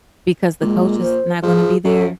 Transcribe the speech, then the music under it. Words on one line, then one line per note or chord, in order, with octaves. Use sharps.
Because the coach is not gonna be there?
A#2 G#3
C5
F3 G#4
F#2 A4